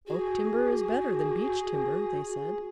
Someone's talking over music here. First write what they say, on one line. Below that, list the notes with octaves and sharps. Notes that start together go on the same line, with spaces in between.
"Oak timber is better than Beech timber," they said.
F#4 G#4